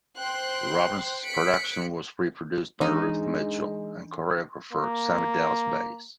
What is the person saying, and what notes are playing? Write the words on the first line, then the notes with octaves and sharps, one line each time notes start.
Robbins' production was reproduced by Ruth Mitchell and choreographer Sammy Dallas Bayes.
C5 G5 C6 F#6
F#6 B6 C#7 D7
E3 G#3 D4 D#4
A#3